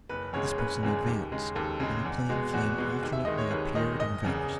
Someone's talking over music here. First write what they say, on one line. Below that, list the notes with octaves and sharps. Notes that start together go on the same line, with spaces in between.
This person advanced, and the playing flame alternately appeared and vanished.
F#1 B4
E2 C#3 G#3 C#5
F#1 B4
E2 C#3 G#3
D#2
C#3 G#3
D#2 A4
C#3 G#3
E2
B2 G#3
E2 F#4
B2 G#3
D#2
E5
D#3 G#3 D#5
C#5
D#2 B4
D#3 G#3 D#5
F#1 D#5
E2 C#3